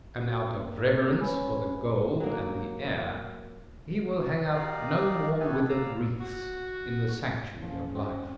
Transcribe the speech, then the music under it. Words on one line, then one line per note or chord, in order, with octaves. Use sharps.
And out of reverence for the goal and the heir, he will hang up no more withered wreaths in the sanctuary of life.
F#4
A#3
C#4 B4 G#5 B5
F#2
F#3 A#3
F#4 G4 A#4 D5 D#5 F5
A3 B3 G4 A4 B4 G#5
D5 F5 A#5 E6
F#4
A#2 F3 C#4
C4 F#4 D5 F#5